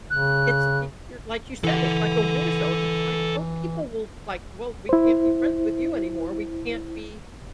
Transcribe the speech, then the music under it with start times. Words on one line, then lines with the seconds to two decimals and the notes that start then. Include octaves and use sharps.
it's eh you're like you said, it's like a war zone. It's like oh, people will, like, "Well, we can't be friends with you anymore, we can't be"
0.10 C#3 F#6
1.64 E3 A4 F#5
4.89 E4 C5